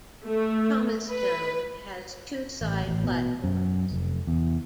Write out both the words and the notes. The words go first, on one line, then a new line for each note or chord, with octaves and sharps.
Thomastown has two side platforms.
A3
B4
A1
A1
B2
F#2
F1
E2